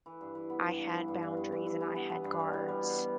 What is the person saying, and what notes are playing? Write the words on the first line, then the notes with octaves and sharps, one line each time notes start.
I had boundaries and I had guards,
E3
G2
E3
B3
G2
G2
E3
G2
G2
G2
E3
E3
E3
B3
B3
G2
G3
B2
G3
B2
B2